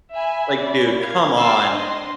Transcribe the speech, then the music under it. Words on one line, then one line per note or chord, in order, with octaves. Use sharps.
like, dude, come on,
E5 G#5 B5
C#4 D5 B5
A#4 F5 G#6
F#4 D5 G#5 E6 F6 C7
C4 D4 D#5 C6